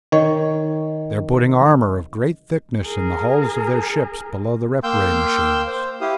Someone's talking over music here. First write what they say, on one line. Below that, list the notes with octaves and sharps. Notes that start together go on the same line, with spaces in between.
They're putting armor of great thickness in the hulls of their ships below the rep-ray machines.
D#3 C#5 D#5
G#4 A#4
A#3 F5 G5 C6 E6 G6
C5
E4 G4 F5 D#6